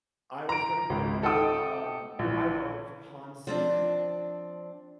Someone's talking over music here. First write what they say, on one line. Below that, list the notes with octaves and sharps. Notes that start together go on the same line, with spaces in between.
I was gonna bring that up. Um, I love Hans Zimmer,
A#5 D7
G#1 C#2
D#4 A4 F#5 G5 D#6
A#1 E3
F3 C4 D4